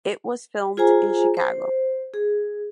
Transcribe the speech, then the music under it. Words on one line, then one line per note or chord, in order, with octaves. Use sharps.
It was filmed in Chicago.
F4 G#4 C5 G#5 A#5
C5
G#4